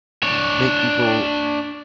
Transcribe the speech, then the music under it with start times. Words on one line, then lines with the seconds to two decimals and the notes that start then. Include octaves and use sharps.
make people
0.23 D4 C#5